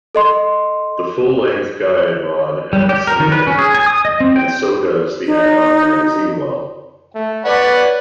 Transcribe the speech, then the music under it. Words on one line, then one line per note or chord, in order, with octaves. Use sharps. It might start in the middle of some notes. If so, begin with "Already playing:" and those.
The full-length guide rod adds some weight, and so does the add-on magazine well.
A4 D#5 C6
G3
G4
A#4
D#3
B4
C#4
G#4
G#5
D#6
D#5
C4
G5
D#4
A3
B4 C#5 D5 F#5 B5